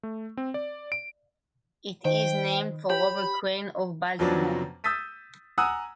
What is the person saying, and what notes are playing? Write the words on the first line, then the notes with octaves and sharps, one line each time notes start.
It is named for Robert Crain of Baltimore.
A3
C4
D5
D7
D#3 C5 G5
G4 C#5 B5
F2 F3 F#3 B3 C#4 D4
D#6 E6 G6 A6 B6 D#7
F#5 G#5 A#5 D#6 E6 F#6